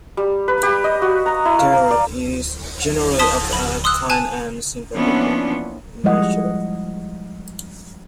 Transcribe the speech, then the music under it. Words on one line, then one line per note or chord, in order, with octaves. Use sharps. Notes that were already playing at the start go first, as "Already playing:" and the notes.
Tarot is generally of a kind and sympathetic nature.
G3
B4
G4
D#5
F#4
A#5
E4
F5
A#5
D5
A5 C6 D#6 B6 E7
B5
C6 D#6 E6 F#6
G#5 A5 F#6
E3 F3 A#3 B3 C#4 D4
F3 G3 G#3 E4 D#5 F#5